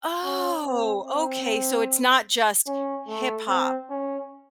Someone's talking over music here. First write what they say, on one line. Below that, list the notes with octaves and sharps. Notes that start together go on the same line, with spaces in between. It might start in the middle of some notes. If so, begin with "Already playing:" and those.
"Oh, okay." So it's not just hip hop
C#4
C4
C4
C#4
A3
C4
C#4